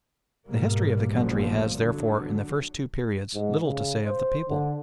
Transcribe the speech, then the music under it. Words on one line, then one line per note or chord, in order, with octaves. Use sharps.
The history of the country has, therefore, in the first two periods little to say of the people.
G#2 B2 G3 A#3
F#1 E2 A#2 F3 G3
D3 F#3
G#2
C#3
C5
D3